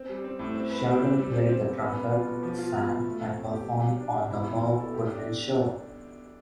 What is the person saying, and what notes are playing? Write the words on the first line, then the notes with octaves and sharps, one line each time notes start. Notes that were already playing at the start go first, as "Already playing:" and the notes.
Sheldon played the trumpet, sang, and performed on "The Merv Griffin Show".
Already playing: C4
G3
C4
A2
C4
B4
G4
C4
G3
C4
C4
G3
B3
B3
F4
B2
F3
F4
B3
F4
A3
C4
A3
G4
G3
G3
D4
C3
E4
B2
B2
A4
G4
D4